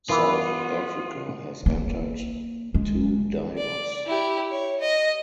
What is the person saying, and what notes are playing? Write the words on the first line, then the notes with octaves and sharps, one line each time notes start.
South Africa has entered two divers.
E3 B3 E4 F4 A#4
A#3
G#3
D5
E4 G4
C#5
D#5